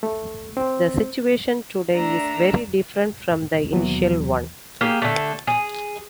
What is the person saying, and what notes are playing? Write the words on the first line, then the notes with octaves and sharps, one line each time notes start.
The situation today is very different from the initial one.
A3
C4
A3 D4 A#5 E6
D#2 B2 E3 F#3
A#3 G4 G#4
D3 A3
G#4